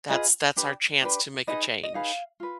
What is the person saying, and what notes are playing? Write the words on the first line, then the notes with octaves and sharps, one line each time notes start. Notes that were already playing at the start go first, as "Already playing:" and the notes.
that's that's our chance to make a change.
F4 G#4 B4 D#5
D4 G4 B4
D4 G4 B4
D#4 G#4 B4 D#5
D#5
D#4 G#4 B4 F5
F4 B4